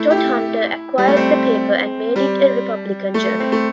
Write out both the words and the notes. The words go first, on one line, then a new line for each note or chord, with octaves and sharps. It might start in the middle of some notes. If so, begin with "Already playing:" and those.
Todhunter acquired the paper and made it a Republican journal.
Already playing: A3 E4
G4
E4
G3
A3
C4
G3
A3
C4
A3